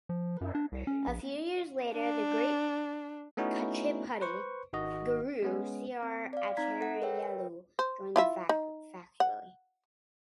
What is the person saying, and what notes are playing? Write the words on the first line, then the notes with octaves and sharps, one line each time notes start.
A few years later the great Kuchipudi guru, c R Acharyelu joined the faculty.
F3
F#2
D4
C2
C#4
A#1
D4
A3 B3 C#4 D#4 E4 F#4
B4 C5 C#6
G#1 D#3 F#4 D#5
G#3 B3 C#4
C4
D5 F5
C4 D#4 A#5 G#6 B6
A4 F#5
A#4 B4 C#5 E5 G5
C5
E4 F4 E5
D#4
F#5